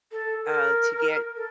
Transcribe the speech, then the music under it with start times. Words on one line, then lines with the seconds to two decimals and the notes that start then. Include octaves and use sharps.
uh, to get,
0.11 A4
0.44 A#4
1.35 A4